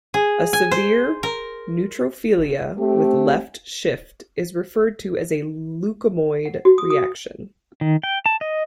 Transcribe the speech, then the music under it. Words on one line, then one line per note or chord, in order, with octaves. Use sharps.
A severe neutrophilia with left shift is referred to as a leukemoid reaction.
G#4
G#5
C5
A#4
A3 C4 G4
F#5
F#4
D#6
D#6
D#3
G5
A5
D#5